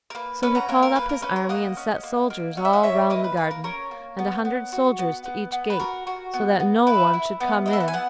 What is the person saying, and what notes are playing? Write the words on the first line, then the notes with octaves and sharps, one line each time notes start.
So he called up his army, and set soldiers all round the garden, and a hundred soldiers to each gate, so that no one should come in.
A#4
A#3 B4
C#4 B4
F#5 A#5
A#3 A#4 C#5
A#4
A#3 B4
A#4
C#4 B4
A#4 C#5
A#3 D#5 F#5
C#4
A#3
A#3
C#4 F#5
E5
D#5 F#5
C#4 C#5 E5
A#3 B4 D#5
B4
A#3 B4
A#4
C#4 A#4 C#5
A#3
B3
B3
F#4
B3
B3
B3
B4
F#4 A#4
F#4
B3
B3
E4 B4
E4
B3
E4 D#5
E5
F#5
G#5
B3 F#5